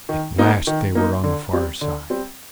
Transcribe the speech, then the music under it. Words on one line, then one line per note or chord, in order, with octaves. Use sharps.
At last they were on the far side.
D#3
A#3 D#4
D#3
A#3 D#4
D3
G3 C4
D3
G3 C4